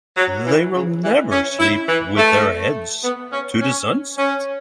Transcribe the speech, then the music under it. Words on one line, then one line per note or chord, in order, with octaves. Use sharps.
They will never sleep with their heads to the sunset.
F#3
E3
C#3
E3
C#4
E4
E3
A3
B3
C#4
C#4
C#4